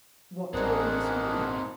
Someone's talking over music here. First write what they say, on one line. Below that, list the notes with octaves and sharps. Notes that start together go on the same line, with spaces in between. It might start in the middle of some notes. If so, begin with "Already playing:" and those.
What did all this mean?
A1 C4 D4 D#4 G#4 A#4 F#5